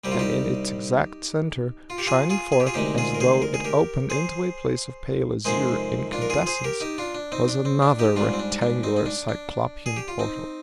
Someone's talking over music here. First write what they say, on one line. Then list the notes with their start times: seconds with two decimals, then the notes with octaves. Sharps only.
And in its exact center, shining forth as though it opened into a place of pale azure incandescence was another rectangular Cyclopean portal.
0.04 C2 C3 G3 G4
0.12 F4
0.19 D#4 G4
1.90 F4
1.98 G4
2.06 F4 G#4
2.29 F4 G#4
2.52 G#4
2.60 G4
2.67 F4 G#4
2.74 D2 C3 D#3 G#3 D#4 G4
2.98 F4 G#4
3.15 A#4
3.20 G#4 C5
3.42 A#4
3.54 G#4
3.65 G4 A#4
4.10 G#4 C5
5.45 F2 C3 D#3 G#3 G#4 C5
6.13 D4 F4
6.22 A#4
6.30 F4 G#4
6.46 G#4 C5
6.64 G4 A#4
6.80 D#4 G4
6.98 D4 F4
7.15 D4
7.32 C4 D#4
7.48 D4
7.65 C4
7.82 D4
7.99 D#4 G4
8.16 G#2 G3 D4 F4
8.33 C4
8.39 D4
8.61 D4
8.83 C4 D#4
8.96 D#4
9.06 D4
9.29 D4
9.86 G#4
9.96 G4
10.08 F4
10.19 C4 D#4